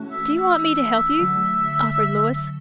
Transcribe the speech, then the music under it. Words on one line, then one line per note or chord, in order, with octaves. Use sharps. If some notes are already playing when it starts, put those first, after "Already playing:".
"Do you want me to help you?" offered Louis.
Already playing: E3 A3 C#4 F#4
E5
E5
E5
E5
D3 F#3 A3